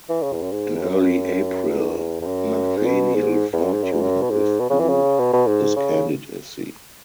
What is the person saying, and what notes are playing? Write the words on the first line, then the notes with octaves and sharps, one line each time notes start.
In early April, Nathaniel Fortune withdrew his candidacy.
E3
C#3
E2
F#2
G#2
E2
F#2
E2
E2
E2
F#2
G#2
B2
G#2
E2
F#2
G#2
F#2
E2
F#2
B2
G#2
B2
C#3
E3
C#3
B2
B2
G#2
C#3